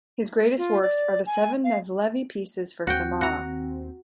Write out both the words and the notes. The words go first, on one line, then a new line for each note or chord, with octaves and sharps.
His greatest works are the seven Mevlevi pieces for Samah.
F4
D5
G#5
F5
D#2 C4 F#4 G5
F#4 A#5